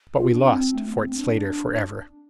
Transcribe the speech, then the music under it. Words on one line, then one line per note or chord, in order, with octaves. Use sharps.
But we lost Fort Slatter forever.
F4
D4
C4
A3
B3
C4
D4